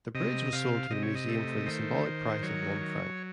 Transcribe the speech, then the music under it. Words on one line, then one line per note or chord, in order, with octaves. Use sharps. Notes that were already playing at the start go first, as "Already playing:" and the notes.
The bridge was sold to the museum for the symbolic price of one Franc.
C3 D#5
C3 F5
C3 D#5
C#5
D#5
A3
D#3 C5
D#3
F#3 C#5
F#3